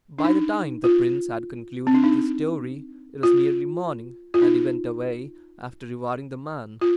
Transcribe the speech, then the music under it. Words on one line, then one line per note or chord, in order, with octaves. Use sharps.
By the time the prince had concluded this story it was nearly morning, and he went away, after rewarding the man.
D4
D#4
F4
C4
D4
D#4
F4
F4
D#4
F4